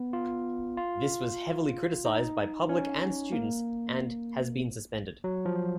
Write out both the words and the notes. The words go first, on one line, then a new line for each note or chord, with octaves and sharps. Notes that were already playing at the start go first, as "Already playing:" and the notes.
This was heavily criticized by public and students and has been suspended.
Already playing: B3
F4
F4
D#4
C#4
A#3
F#3
F3